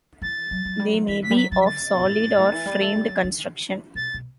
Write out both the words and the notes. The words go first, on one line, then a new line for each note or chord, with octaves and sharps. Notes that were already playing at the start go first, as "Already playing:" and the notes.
They may be of solid or framed construction.
E3 A6
F#3
F#3
G3
F#3
E3 B6
D3 B6
G3
F#3 B6
F#3 A6
B6
D3 A6
C#3
B2
A2
G2
A2
E3
G3
A3
G3
F#3
D3
B2 A6
B2